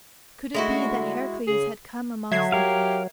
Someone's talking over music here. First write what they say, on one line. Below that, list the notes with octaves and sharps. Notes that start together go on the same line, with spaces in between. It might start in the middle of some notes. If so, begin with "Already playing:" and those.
Could it be that Heracles had come amongst them?
D3 G#3 A3 E4 F#4
C#3 G#4
D3 F#3 E5 G#6 C7
G4 A#4 F5